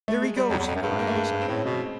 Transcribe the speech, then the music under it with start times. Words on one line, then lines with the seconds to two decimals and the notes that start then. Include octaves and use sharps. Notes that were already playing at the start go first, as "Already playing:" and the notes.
"There he goes!" he cried excitedly.
0.08 A3
0.22 G#3
0.36 G3
0.50 F2 F#3
0.59 E2
0.67 F2
0.75 F#2
0.82 G2 G#3
0.99 A#3
1.07 A3
1.15 G#3
1.41 C4
1.48 A2 C#4
1.65 B2